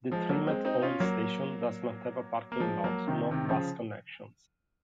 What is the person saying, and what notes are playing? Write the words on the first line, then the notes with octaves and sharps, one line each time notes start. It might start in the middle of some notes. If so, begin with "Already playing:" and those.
The TriMet owned station does not have a parking lot nor bus connections.
F3 G#3
F#3 A#3
G#3 C4
C4 D#4
C#4 F4
F#3 A#3
A#3
F3 G#3
F#3 A#3
C3 D#3
C3 D#3
D#3
C#3 F3